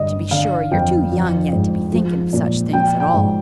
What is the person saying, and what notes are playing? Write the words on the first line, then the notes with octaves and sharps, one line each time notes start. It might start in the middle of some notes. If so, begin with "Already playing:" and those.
To be sure, you're too young yet to be thinking of such things at all.
Already playing: G2 D3 D#5
D3 F5
F2 G5
F3
G#2
F3
A#2
F3 G5
G5
G#2